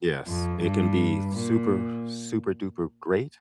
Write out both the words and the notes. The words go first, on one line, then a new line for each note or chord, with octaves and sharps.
Yes. It can be super, super duper great
F2
G2
A#2